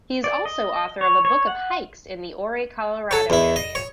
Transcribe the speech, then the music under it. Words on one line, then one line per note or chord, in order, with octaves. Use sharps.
He is also author of a book of hikes in the Ouray, Colorado area.
D5
D#5
C#5
C#5
F#5
A4 C#5
E2 E4
D#5
C#5